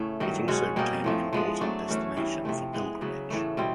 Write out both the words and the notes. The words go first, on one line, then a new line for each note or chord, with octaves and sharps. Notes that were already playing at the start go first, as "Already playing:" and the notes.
It also became an important destination for pilgrimage.
Already playing: A2 C#3 A3 C#4
G2 D#3 F#3
B2 G#3 C#4 F#4
B2 G3 A#3 D#4
A2 F3 A3
F3 G#3 B3 D4
F#3 A3 D4
E3 A3 C#4 F#4
G2 E3 G3
C3 F3 A3
E3 G#3 B3
C#3 F#3 B3
A2 E3 A3
B2 G3 C4